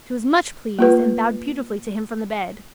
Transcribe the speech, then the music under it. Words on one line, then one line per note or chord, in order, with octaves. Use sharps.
She was much pleased, and bowed beautifully to him from the bed.
A#3 F4 B4